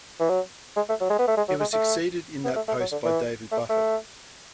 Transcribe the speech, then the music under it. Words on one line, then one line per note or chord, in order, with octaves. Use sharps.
He was succeeded in that post by David Buffett.
E3
F#3
G#3
A3
F#3
G#3
B3
A3
G#3
F#3
G#3
A3
B3
A3
A3
F#3
D3
E3
A3
A3